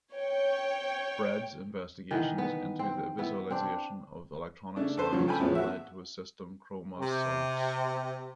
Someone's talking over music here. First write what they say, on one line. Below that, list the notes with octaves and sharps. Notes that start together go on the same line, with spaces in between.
Fred's investigations into the visualisation of electronic sounds led to his system Chromasonics.
C#5 G5
D#3 E3 B3
B3
C4
B3 E4
C4 D4
C#3 A3 D4
A4 B4 C5
G2 A#2 C#3 F3 F#3
A4 G5 G#5 B5
E2 A2 F3 G#3 B3 C#4
F#4 E5
C3